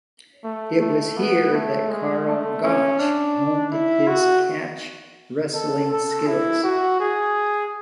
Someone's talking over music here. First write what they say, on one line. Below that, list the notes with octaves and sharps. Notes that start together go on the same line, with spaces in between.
It was here that Karl Gotch honed his catch wrestling skills.
A3
A3
B3
A3
G#3
A3
C#4
D4
E4
F#4
A4
A4
E4
F#4
G#4